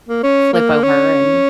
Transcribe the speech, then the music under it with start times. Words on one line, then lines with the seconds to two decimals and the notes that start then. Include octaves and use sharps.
flip over and
0.09 A#3
0.23 C#4
0.54 A#3
0.83 C#4